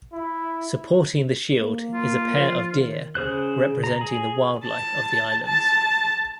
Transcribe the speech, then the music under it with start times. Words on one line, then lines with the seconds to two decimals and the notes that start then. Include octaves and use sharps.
Supporting the shield is a pair of deer representing the wildlife of the islands.
0.13 E4
1.61 A#3
1.94 F4
2.32 F3
2.71 D#3
3.15 C#3 G#4 C5 F#6
3.84 A#5
4.01 G#4
4.65 A5
5.46 A5